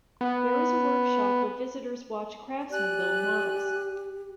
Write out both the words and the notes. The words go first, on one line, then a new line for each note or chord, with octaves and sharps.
There is a workshop where visitors can watch craftsmen build models.
B3
G4 D5 G#5 F#6